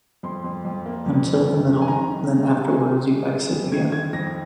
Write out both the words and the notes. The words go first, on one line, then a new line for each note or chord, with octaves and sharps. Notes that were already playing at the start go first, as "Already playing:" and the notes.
Until the middle, then afterwards you exit again.
F2 C6
F2
F2
A#3
F2
F2
F2
F2
G#5
D#3 A#5
D#3
G#3
C3
A#5
C3 G#5
C3
G#3
G#3
F2
D#3 G#6
D#3 G#6
F2 A#6